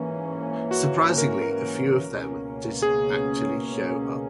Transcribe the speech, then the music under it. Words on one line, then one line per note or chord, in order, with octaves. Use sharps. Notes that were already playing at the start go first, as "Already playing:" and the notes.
Surprisingly, a few of them did actually show up.
Already playing: G#2 E3 A#3 C#4
F#4
A#4
A#4
C#2 B2 A#3 C#4
G#4